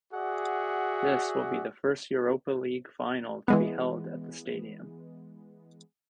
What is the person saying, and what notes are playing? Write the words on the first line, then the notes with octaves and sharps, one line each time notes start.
This will be the first Europa League final to be held at the stadium.
F#4 G#4 D5 E5 F#5
E3 G#3 B3